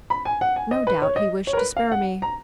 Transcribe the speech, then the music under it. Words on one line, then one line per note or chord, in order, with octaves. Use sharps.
"No doubt he wished to spare me."
B5
G#5
F#5
G#5
D#5
B4
C#5
D#5
C#5
A#4
B4
F5
F#5
A#5